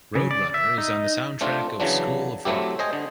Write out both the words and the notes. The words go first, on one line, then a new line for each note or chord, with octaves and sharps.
"Roadrunner" is on the soundtrack of "School of Rock".
C#3
D5
E5
D#4
A3 C4 D4 F4
C#3 E3 F#3 D4
F#3 A3 C4 E4 G4
C5 D#5 G#5
D3